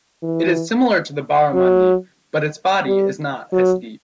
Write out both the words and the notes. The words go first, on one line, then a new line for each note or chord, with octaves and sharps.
It is similar to the barramundi but its body is not as deep.
E3
F#3
G3
F#3